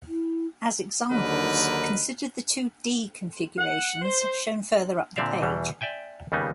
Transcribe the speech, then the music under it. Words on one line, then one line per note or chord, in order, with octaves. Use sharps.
As examples, consider the two "d" configurations shown further up the page.
E4
D#2 D3 F#3 D#4 A#4 B4
F#5
C5
A#2 D3 C4 D5 E5 F5
E2 B2 E3 G3
D5 E5 G5 G#5
D#2 C#3 G3 B3 D#4